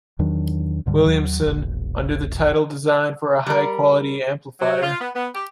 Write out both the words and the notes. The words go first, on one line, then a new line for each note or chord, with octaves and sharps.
Williamson, under the title Design for a High-quality Amplifier.
E2 D#3 F#3 D4
C#2 G#2 D3 G3
D#2 F#3
E1 A#1
G3 A#4
F#3
F4
B3
B3
G4